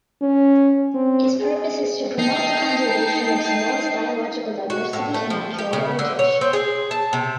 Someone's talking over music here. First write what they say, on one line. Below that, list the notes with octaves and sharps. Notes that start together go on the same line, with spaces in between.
Its purpose is to promote the conservation of Samoa’s biological diversity and natural heritage.
C#4
C4
G#4
D#4 G5 A5 C7
F#4
A2
A3
F3
G4
C#3
D3
C#5
C4
G#4
A5
C3